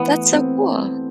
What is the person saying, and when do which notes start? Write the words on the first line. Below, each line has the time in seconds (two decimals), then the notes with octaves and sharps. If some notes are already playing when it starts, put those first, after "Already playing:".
That's so cool.
Already playing: E3 A3 B3
0.32 C4